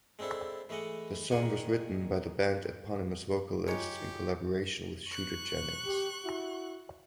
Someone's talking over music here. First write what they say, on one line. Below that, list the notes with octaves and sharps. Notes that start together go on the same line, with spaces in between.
The song was written by the band eponymous vocalist in collaboration with Shooter Jennings.
G#3 C4 D4 E4 A4
E3 G#3 A3 D#5 F#5
A#2 D#3 G#4 F#5 G#5
G#3 F4 G4 C#5 A#5
C#6 F#6
G4
E4 F#4